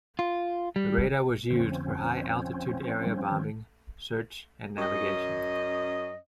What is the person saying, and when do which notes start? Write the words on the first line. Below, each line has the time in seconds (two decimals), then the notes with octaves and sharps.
The radar was used for high altitude area bombing, search and navigation.
0.19 F4
0.76 G3
1.50 F1 D3 F3 A#3 C4 C#4
3.06 G3 D4
3.32 D#3
4.78 F#2 C#4 D#5